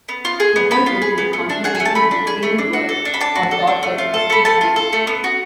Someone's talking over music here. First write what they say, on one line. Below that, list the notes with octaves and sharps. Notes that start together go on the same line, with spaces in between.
Methods include concentrating on a single word or thought for a specific time.
B3
F4
G#4
B3
B3 B5
F4
G#4
B3
A3
D4
G#4 F#5
G#5
A3
A5
A3 B5
D4
G#4
A3
D4
F#4
A4
D4
B5
D4 A5
F#4
A4
D4
A3
F4
A4
A3 B5
A3 A5
F4
A4
A3
B3
F#4